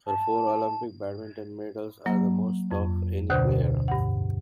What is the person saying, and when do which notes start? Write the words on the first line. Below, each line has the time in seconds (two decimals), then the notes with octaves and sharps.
Her four Olympic badminton medals are the most of any player.
0.07 A5
2.06 F#3 A#3
2.71 F2
3.30 D2 B2 D3 C5 G6
3.88 G2 F#5